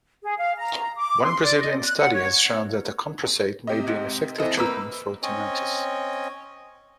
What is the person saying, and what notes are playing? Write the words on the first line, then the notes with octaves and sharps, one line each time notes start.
One Brazilian study has shown that acamprosate may be an effective treatment for tinnitus.
G#4
F5
A#5
D6
C6
D5
D#5
F#6
F#5
C#5
C3 G4 D#5
G#2
E2 E3 C4 A4 D#5
C2 A#3 B4 A#5 E6
C4 C#4 C#5 D#5